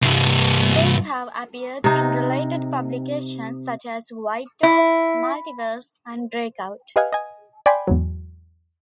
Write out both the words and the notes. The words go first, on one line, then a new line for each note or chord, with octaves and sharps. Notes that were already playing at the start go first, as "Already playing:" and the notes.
These have appeared in related publications such as "White Dwarf", "Multiverse" and "Breakout!".
C2 G2
C3 D#4
E4
G4 B4 D#5 F5 F#5 G#5
D#5 G#5
D5 G5 G#5 B5 C6
E2 G#2 F#3